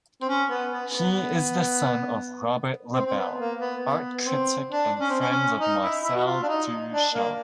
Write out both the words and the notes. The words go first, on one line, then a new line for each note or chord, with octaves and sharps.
He is the son of Robert Lebel, art critic and friend of Marcel Duchamp.
C4
C#4
B3
B3
B3
C4
C4
B3
A#3
B3
B3
C4
D4
C#4
C4
C#4
C#4
D#4
E4
E4
F#4
F4
D4
D#4
D4
A#3